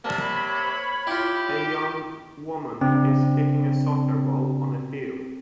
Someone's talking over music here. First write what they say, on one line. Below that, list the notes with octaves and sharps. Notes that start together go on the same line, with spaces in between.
A young woman is kicking a soccer ball on a field.
C3 A#3 D5 A5
C#5 B5
E4 F4 G4
C#3 C4 D4